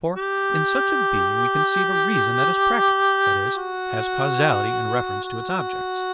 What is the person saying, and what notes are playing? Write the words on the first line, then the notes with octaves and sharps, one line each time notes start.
For in such a being we conceive a reason that is practical, that is, has causality in reference to its objects.
G4
F#4
F#4